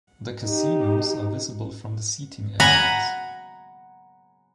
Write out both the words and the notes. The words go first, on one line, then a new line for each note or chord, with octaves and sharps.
The casinos are visible from the seating areas.
D#4 G4
F#5 G#5 A#5 B5